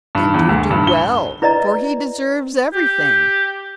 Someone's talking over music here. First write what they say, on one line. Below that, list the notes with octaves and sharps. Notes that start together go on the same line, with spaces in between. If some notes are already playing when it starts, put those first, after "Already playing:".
'And you do well, for he deserves everything.
G2
E2
D2
G2
G7
E4 B4 D5 D#5 A#5
G4